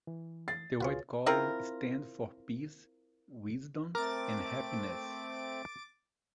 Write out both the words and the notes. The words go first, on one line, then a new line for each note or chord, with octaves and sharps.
The white color stands for peace, wisdom and happiness.
E3
A6 C7
C#2 F4 F#4 G#4 B4 C#5
C4 E4 F4 A#4
A3 C4 A#4 D6 A6